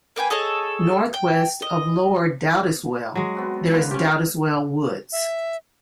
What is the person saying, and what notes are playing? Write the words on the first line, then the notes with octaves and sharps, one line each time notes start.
Northwest of Lower Dowdeswell, there is Dowdeswell Woods.
A#3 B4 G5 G#5
G#4 A4 C#5 D#5
G5
D#5
F#3 G#3
B3 C4 F#4
D3 A#3 B4
C#4 F4 G4
E5